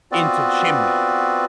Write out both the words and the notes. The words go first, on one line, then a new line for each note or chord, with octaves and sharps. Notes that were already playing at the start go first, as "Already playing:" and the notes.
into chimneys
B3 C4 F4 F#4 B4 D5